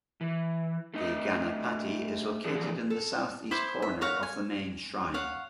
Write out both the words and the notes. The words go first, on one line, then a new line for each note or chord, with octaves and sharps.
The Ganapati is located in the south east corner of the main shrine.
E3
A3 D4 D#5
D3 E3 F3 D4 G#4 A4
A4
E4 C5 D6
E5
A#4 C#5 F5 F#5
G#5
C#5 F5 F#5